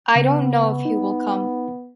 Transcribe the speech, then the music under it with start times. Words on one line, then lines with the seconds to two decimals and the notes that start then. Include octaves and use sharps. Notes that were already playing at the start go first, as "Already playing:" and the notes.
I don’t know if he will come.
0.16 C#3 B3
0.85 D#4